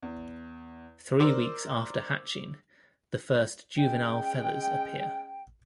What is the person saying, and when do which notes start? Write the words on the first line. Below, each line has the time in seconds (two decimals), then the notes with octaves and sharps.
Three weeks after hatching, the first juvenile feathers appear.
0.03 E2
1.20 A#4 C5 D5 C6 D6 E6
3.77 G#3 C#4 G5